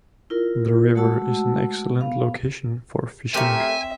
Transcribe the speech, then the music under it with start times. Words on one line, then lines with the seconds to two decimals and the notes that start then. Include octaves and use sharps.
The river is an excellent location for fishing.
0.30 E4 F4 A#4
0.95 G#3 A3 F#4 F#5 A5 E6
2.01 B3 F5
3.34 A3 C4 G4 A#4 C#5 E5 G#5